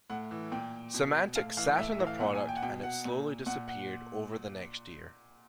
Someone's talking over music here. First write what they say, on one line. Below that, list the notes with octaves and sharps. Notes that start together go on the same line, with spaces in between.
Symantec "sat" on the product and it slowly disappeared over the next year.
A2 F#5
E3
A#2 G5
B2
A2 F5
E3 F5
A2 E5
E5
E3
F5
A#2 F#5
G#5
G5
F#5
B2 G5
F#5
A#2
A#2 F#5
F#5